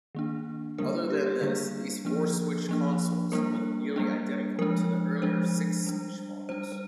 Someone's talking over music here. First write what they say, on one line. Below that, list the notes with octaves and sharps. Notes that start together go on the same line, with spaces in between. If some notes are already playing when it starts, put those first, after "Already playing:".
Other than this, these four-switch consoles looked nearly identical to the earlier six-switch models.
D#3 A#3 D4
D3 G3 A#3 D4 A#4
G4
D3 G3 A#3 D4 G#4
F3 A#3 D4
F3 A#3 D4
G3 A#3 D4 A#4
G3 A#3 D4
F3 G#3 D4 A#4
F3 G#3 D4 C5
G3 D4
G3 D4 C5
C5